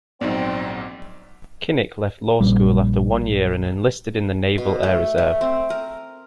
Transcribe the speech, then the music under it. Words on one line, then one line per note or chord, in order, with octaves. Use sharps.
Kinnick left law school after one year and enlisted in the Naval Air Reserve.
A#1 G#2 F#3 B3 C4 D#4 D5
A#1 G3
B2
A3
A3
C4
A#4